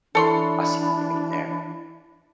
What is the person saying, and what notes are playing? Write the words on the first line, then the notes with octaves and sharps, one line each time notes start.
I see what you mean there.
E3 D4 A4 C#5 C6